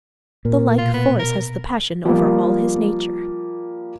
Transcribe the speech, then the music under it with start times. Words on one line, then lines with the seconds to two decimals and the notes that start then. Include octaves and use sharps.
The like force has the passion over all his nature.
0.45 A#2 A#4
0.78 B2 F4
0.94 B3
1.19 A#4
2.05 F3 G3 A#3